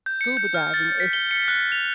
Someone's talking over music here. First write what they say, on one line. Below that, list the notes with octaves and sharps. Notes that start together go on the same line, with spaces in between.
scuba diving. It's
G6
C#7
G6
F6
A6
B6
G7
C#7
F#6
F7